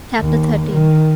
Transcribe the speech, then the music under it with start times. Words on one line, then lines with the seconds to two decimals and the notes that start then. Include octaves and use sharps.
Chapter XIII.
0.20 D#2
0.70 D#3